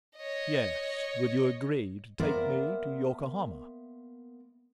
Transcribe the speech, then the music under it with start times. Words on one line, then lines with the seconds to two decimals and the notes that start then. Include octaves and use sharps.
"Yes, will you agree to take me to Yokohama?"
0.17 C#5 D#5
2.19 A#3 B3 A#4 C5 D5 E5